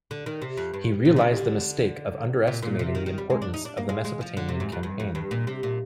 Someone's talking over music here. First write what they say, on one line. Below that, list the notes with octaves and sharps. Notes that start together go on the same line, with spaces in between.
He realized the mistake of underestimating the importance of the Mesopotamian campaign.
D3
D#3
C3
F2
G2
A#2
D3
C3
D3
A#2
A#2
C3
D#3
D#3
G3
G#3
D4
D#4
D4
A#3
G#3
G#3
F3
D3
C3
G#2
F2
G2
F2
G2
A#2
C3
A#2